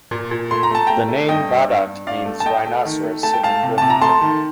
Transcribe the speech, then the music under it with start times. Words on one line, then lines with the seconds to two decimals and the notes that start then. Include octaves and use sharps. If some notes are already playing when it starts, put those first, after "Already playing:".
The name "Badak" means rhinoceros in Indonesian.
0.11 A#2
0.31 A#2
0.51 A3 C6
0.63 A#5
0.70 A3 A5
0.87 A3 G5 A#5
1.08 A3
1.29 G2 D#5 G5
1.49 G2
1.68 G2
1.86 G2
2.07 G2 D5 F5
2.26 A3
2.40 A5
2.45 A3 D#5 G5
2.65 A3
2.85 D#3
3.03 A3
3.23 A3 A5
3.33 G5
3.43 A3 F5 A5
3.63 C3
3.78 C3 A5
3.90 A#5
4.01 A3 A5 C6
4.21 D#3